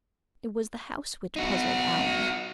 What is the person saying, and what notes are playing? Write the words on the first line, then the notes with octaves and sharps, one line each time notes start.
It was the house which puzzled Alan.
D#4 F#4